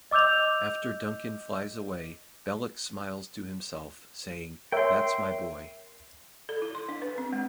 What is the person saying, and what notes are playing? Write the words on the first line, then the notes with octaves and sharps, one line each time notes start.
After Duncan flies away, Belloc smiles to himself, saying, "That's my boy".
D#5 D6 E6 G6 F7
A#4 C#5 E5 G5 C6
A4
E4
C6
D4
B4
C4
G#3